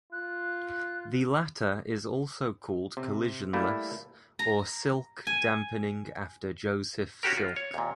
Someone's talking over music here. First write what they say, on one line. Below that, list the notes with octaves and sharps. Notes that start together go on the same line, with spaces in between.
The latter is also called collisionless or "Silk" damping after Joseph Silk.
F4 F#6
C3
G3 A3 A#3 E4
A#5
G#5
C#4 F#4 G4 A#4
F4
C#5
D#2 A#2